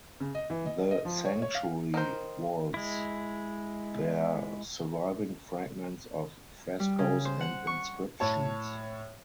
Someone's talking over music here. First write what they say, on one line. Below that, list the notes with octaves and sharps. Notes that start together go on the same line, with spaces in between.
The sanctuary walls bear surviving fragments of frescoes and inscriptions.
C#3
D#5
E3
D#5
D#5
F3
C#5
C#5
F5
D#3 A#4 C5
G#3 E4
G3
C#3
C5
F#5
C#6
A2 C#5 A5